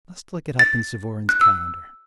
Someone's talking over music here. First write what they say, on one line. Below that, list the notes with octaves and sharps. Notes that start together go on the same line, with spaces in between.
I must look it up in Suvorin's calendar.
A6
F#6
E6